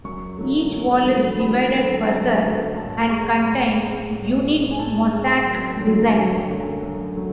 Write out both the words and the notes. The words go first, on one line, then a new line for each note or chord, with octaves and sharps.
Each wall is divided further, and contain unique mosaic designs.
F#2 C#6
D3 F#3 A3
F#2
D3 F#3 A3
F#2 B5
D3 F#3 A3
F#2
D3 F#3 A3
A2 A5
G#3 C#6
A2 B5
G#3
A2
G#3
G#5
A2 A5
G#3
F#2
D3 F#3 A3
F#2 G#5
D3 F#3 A3
F#2
F#3 A3